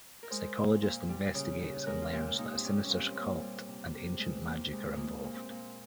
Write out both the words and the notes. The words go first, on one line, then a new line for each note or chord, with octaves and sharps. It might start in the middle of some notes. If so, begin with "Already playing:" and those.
The psychologist investigates and learns that a sinister cult and ancient magic are involved.
A#4
G#3 C5
A#2
A#2
G3
C#3
C#3
G#3 A#4
F4
A#2 G4
A#2 D#4
C4
G3 C#4
C#4
A#2
C4
A#2
A#3
G3
C3
C3
G3 G#3
C3 A#3
C3 G#3
G#3 A#3
A#2
C4
A#2